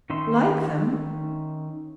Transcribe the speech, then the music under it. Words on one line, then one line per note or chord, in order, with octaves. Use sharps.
"Like them!"
D#3 C#4 D#4 E5 C6